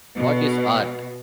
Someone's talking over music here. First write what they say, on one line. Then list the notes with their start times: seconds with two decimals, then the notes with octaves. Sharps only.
What Is Art?
0.16 B2